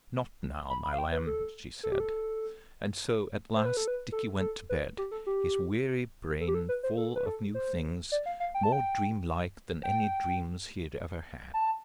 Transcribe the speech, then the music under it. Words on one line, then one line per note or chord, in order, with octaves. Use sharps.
"Not now, my lamb," she said; and so at last Dickie went to bed, his weary brain full of new things more dream-like than any dreams he had ever had.
B5
B5
F5
G5
B4
A4
A4
G4
A4
C5
B4
A4
B4
A4
A4
B4
G4
A4
G4
A4
G4
A4
B4
C5
A4
B4
A4
C5
D5
F5
F5
G5
A5
G5
G5
A5